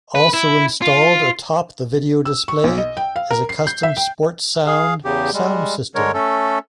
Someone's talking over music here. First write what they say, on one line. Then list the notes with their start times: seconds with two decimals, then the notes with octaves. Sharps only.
Also installed atop the video display is a custom Sportsound sound system.
0.15 B4
0.34 E4
0.82 F4
2.25 E6
2.48 C#6
2.64 B1
2.78 D#5
2.97 G5
3.16 F5
3.31 A#4
3.49 C7
3.67 G6
3.83 E5
3.97 G5
4.66 G#4 F5
5.05 E2 C#3 G4
5.34 G3 G#3
5.95 D3 G#3 A#4 C#5
6.14 A3 C#4 A4